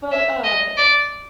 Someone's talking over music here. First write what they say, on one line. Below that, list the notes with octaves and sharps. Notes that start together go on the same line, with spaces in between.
But, uh,
E5
D#5
D5